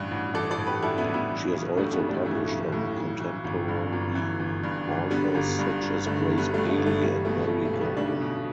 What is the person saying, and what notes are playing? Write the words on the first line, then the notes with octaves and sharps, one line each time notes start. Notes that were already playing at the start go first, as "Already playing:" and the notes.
She has also published on contemporary authors such as Grace Paley and Mary Gordon.
Already playing: A1 G2 E3
A1
E3 A4 D5
A4 D5
A1
G4 B4
G2 E4 A4
B3 E4
A1
B3 E4
E3
B1
A2 A3 D4
G3 B3
B1
A3 D4
E3 A3
B1
A2
B1
E3
G1
G2
G1
E3
G1
G2
G1
D3 G3 B3
G1
G2
G1
D3 A3
G1
G3 B3
G2 A3
A3
G1
A3
B1 G3
B2 A3
B2 G3
A3
B1
G3 B3
B1 A3 D4
B2